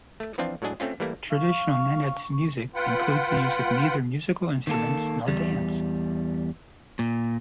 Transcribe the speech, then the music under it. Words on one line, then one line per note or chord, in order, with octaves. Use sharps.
Traditional Nenets music includes the use of neither musical instruments nor dance.
A3
E3 F3 C4 D4 F4
A2 F#3 G#3 D4 G#4
A3 C4 C#4 F4
E3 G3 A3 A#3 E4
F5 C#6
F4 B4 F#5 G5
D#3 A#3 A4
E2 G3
A#2